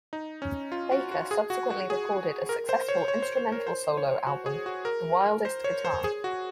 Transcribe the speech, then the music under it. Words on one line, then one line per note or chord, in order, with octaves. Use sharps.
Baker subsequently recorded a successful instrumental solo album, "The Wildest Guitar".
D#4
C#4
F4
F#4
F#4
G#4
F#4
F#4
G#4
A#4
C5
C#5
C#5
C5
C5
A#4
C5
C#5
F#4
G#4
F#4
A#4
C5
C#5
C5
G#4
F#4